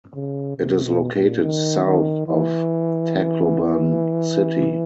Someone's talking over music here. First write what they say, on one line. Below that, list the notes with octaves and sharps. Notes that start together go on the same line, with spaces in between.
It is located south of Tacloban City.
C#3
C3
B2
A#2
D#3
D#3
E3